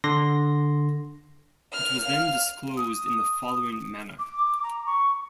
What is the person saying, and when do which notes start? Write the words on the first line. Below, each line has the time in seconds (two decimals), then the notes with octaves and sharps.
It was then disclosed in the following manner.
0.04 D3 C6 A#6
1.73 F6
2.05 F5
2.77 D#6
4.19 D6
4.63 A#5
4.86 C#6